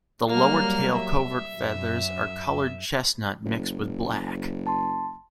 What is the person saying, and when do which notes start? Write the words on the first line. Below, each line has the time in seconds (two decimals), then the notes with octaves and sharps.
The lower tail-covert feathers are coloured chestnut mixed with black.
0.28 F#3 G3 A#3 F6
0.97 E5
1.56 F#2
3.45 F#1
4.67 A5 C6